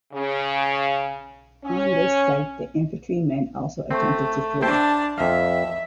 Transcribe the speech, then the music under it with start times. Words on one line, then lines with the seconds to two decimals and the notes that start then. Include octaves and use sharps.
On this sight, the infantrymen also attempted to flee.
0.14 C#3
1.65 C#4
3.91 A3 C4
4.62 D4 C5 E5 G5 A5
5.18 F2 E5 F5